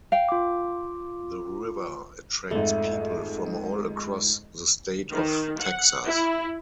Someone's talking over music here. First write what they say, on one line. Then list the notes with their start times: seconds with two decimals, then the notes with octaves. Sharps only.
The river attracts people from all across the state of Texas.
0.12 F5 G5
0.29 F4 D6
2.51 F2 G#2 A3 A4
5.12 D#3
5.59 F#5
6.05 E4